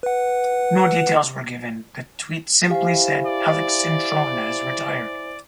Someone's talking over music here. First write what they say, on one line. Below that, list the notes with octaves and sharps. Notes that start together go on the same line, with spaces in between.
No details were given; the tweet simply said Alex Cintron has retired.
B4 F#5
E4 G4 C5 F5 G#5
D5